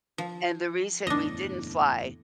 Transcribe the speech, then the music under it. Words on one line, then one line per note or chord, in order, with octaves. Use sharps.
and the reason we didn't fly
F3
F#1 E2 A2 D4 D#5